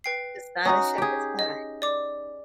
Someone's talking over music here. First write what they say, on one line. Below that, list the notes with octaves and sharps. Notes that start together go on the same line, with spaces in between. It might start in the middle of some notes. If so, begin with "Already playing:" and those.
It's not a shepherd's pie.
B4 G5 C7
C#4 D#4 F#4 D#6
G4 G#4
D#5
D5 D6